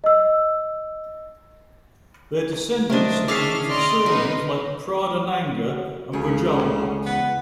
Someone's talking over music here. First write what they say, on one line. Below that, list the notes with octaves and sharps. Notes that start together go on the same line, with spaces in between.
Their descendants have been using surnames like Pradhananga and Rajalwat.
D#5 E6
A3 D4 A#4 C5 D#5
C#4 G#4 E5 A5 D6 F6 C7
D5 D#5 C6 F6
D#4 A#4 B4
F#4
C#2 C#3 A4
E2 B3